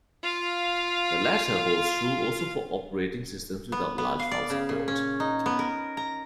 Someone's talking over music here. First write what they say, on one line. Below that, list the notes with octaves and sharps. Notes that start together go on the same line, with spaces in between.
The latter holds true also for operating systems without large file support.
F4 F5
B3
B3
F5
D5
C#3
A#2
C#4
D#4
B3
A#4
A#5